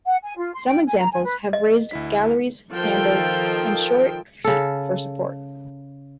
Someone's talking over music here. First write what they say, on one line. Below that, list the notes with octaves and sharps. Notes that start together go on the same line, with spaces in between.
Some examples have raised galleries, handles, and short feet for support.
F#5
G#5
F4
C6
G5
G#5
A#5
G#5
B4
D#5
D2 E4 B6
D#3 F3 A4 G5
C#3 A4